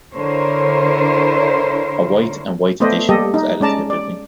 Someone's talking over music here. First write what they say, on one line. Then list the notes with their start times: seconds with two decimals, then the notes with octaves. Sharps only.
A Wight and Wight addition was added to the building.
0.14 D3 E4 A#4 C5 C#5
2.80 A3 B3 B4 C5 D5 D#5
3.09 G3 A#3 G4 A4 D#5
3.34 D#4
3.60 G#3 C#4 D5 A5 A#5
3.90 D5